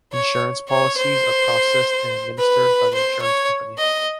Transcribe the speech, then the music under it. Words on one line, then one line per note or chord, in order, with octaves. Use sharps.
Insurance policies are processed and administered by the insurance company.
C#5
C#5
C5
B4
C5
C#5
D#5